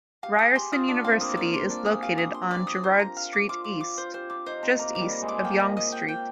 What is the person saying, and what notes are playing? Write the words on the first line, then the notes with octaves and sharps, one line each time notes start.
Ryerson University is located on Gerrard Street East just east of Yonge Street.
G4 F5
G#4 D#6
G4 C6
F4 D#6
D4 D5
C4 F5
A#3 D#6
D5
C6
D4 D5
G#4 D#6
G4 F5
G4 D#6
C6
D5
D#6
C5
A#5
F5
D6
F4 D6
D6
D6
C5
G4 C5
F4 D6
D#4 C5
C4 A#5
A#3 A#5
D6
G3
A#5
G#3
D6
A#3 G5
D#5
D#5
G5
G5